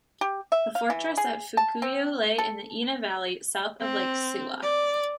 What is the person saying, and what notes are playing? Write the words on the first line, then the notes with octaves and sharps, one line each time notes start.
The fortress at Fukuyo lay in the Ina valley, south of Lake Suwa.
G4
E5
F5
E3
G#4
A5
C4
A4
C4
D5